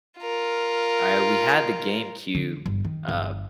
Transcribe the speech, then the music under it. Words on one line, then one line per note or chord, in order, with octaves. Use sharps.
I we had the GameCube, uh
F4 A#4
D3
G1
D#3
G1